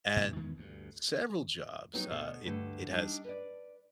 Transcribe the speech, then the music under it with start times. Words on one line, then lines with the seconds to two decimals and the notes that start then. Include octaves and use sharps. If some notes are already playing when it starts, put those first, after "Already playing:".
And several jobs, uh, it it has,
0.16 F#2 A#2 C#3 E3
0.36 E2 D#3 G#3 B3
0.57 D2 G2
1.93 F#3 B3 C4 D#4 F#4
2.11 D2 B2 C5
2.45 D2 G2 D3 A3
2.90 G3 D4 D#4
3.25 B4 D5